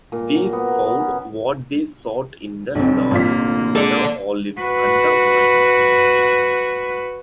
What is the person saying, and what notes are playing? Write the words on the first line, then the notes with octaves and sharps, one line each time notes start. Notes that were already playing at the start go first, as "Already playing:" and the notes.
They found what they sought in the laurel, the olive, and the vine.
A#2
F#3
B3
A#4
B3
C#4
B1 B2 D3 C4
A1 A#3 F4 B6
G#3 A4 D5
F#4 B4